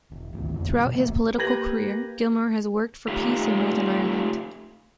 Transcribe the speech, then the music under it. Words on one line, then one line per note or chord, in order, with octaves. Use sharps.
Throughout his political career, Gilmore has worked for peace in Northern Ireland.
E1
G#1 D2
F2 E3
E1 G2 C3
B2
D1 G#2 A3 A#3
A#3 G4 B4 G#6 A#6 F#7
A3 D#4 F4 G4